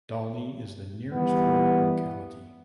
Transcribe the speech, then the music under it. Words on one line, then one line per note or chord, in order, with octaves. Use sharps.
Dalny is the nearest rural locality.
E3 G3 B3